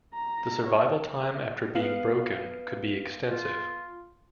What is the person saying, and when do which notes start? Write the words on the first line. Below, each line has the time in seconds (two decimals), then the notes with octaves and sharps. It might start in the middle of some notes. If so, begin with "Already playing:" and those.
The survival time after being "broken" could be extensive.
0.14 A#5
0.67 C#5 A5
1.75 B3 F5 F#7
3.29 F4